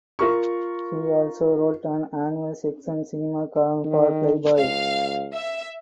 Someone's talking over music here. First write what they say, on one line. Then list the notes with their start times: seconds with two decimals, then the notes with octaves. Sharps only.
He also wrote an annual "Sex and Cinema" column for "Playboy".
0.19 F4 A#4 C#6
3.85 D#3
4.58 C#2 F5
5.34 E5